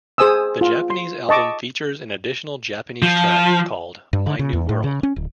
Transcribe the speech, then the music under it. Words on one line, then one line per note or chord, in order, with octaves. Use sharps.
The Japanese album features an additional Japanese track called ""My New World"".
G#4 C5 G#5 D#6 E6
F4
C6
D#5 A5 C#6 D6
F3
G2
D3
C#3
E2
A2
C#3
C#4
D1